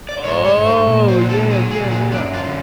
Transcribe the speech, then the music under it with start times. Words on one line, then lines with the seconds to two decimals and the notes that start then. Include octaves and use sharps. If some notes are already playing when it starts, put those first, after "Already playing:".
Oh! Yeah, yeah, yeah, uh
0.09 D5
0.24 G#2 C#5
0.45 C#5
0.56 G#2
0.66 C5
0.87 A#2
1.08 C5
1.19 F#3
1.29 A4
1.50 F#3 G#4
1.71 G#4
1.81 A#2
1.91 G#4
2.12 F#2 D4
2.33 F4
2.44 D3